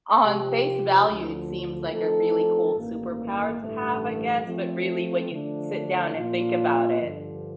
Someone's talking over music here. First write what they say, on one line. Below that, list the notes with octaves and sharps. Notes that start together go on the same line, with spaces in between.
on face value, it seems like a really cool superpower to have, I guess, but really, when you sit down and think about it,
C3 F3 C4 G4
D2 D3 F3
F3 A3 C4 D#4 A4
A1 G2 D#3 A#3
A1 G2 D3 A3
F3 A3 C4
D3 F3 A3 D4
A#2 F3 A#3 D4 F4
G2 D3 F3